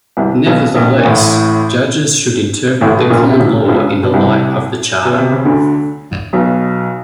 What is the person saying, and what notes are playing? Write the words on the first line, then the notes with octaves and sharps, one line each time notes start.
Nevertheless, judges should interpret the common law in the light of the Charter.
C2 C3
B1 B2
A#1 A#2
A#2
A1 A2
A1 A2
B2
A#1 A#2
C3
C#2 C#3
D3
C#2 C#3
B2
C2 C3
B2
C3
C#3
D2 D3
B1 B2